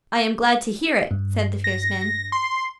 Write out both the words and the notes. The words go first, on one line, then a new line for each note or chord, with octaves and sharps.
'I am glad to hear it,' said the fierce man.
G2
A#6
C6